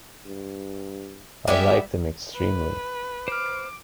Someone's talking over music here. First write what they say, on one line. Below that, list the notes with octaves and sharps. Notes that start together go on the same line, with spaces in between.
I like them extremely.
G2
G3 G#3 B3 G4 D5 E5
B4
C5 D6 F6